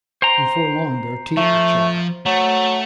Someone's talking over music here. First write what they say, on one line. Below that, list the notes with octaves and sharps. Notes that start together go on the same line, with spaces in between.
Before long their teeth were chattering.
C5 G5 A#5
F3 A3
F#3 A3